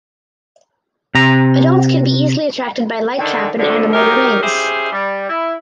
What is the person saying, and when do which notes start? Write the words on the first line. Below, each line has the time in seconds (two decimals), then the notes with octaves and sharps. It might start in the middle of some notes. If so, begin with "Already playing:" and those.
Adults can be easily attracted by light trap and animal remains.
1.15 C3 A#5
3.18 D3 D#3
3.58 F2 D3
3.93 F#3 D#4 G4 A#4
4.42 C#4 E4 G4 G#4 C5
4.92 G3
5.29 E4